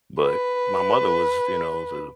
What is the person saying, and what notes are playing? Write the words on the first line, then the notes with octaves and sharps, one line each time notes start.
but my mother was, you know, the
B4